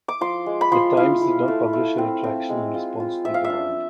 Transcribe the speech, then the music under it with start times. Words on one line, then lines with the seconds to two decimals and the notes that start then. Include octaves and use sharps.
The "Times" did not publish a retraction in response to the demand.
0.08 D6
0.21 F3 C6
0.46 G#3
0.61 B5
0.72 F3 C6
0.97 E4 F5
1.22 E4
1.48 A3
1.73 A3
1.98 C4
2.24 C4
2.49 G#3
2.74 F4
3.00 F4
3.25 F3 E5
3.34 F5
3.44 E5
3.50 D4